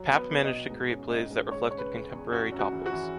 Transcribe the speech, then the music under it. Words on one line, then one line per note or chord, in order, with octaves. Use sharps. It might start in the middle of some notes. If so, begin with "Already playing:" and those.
Papp managed to create plays that reflected contemporary topics.
Already playing: F#3
B3
B4
B3
D#5
B2
G#2
C#4
G#2 D#5
G#2
G#3 C#5
C#3 C#5
B4
C#3
E2
F#2 F#4
F#2
F#4
E3
F#4
E3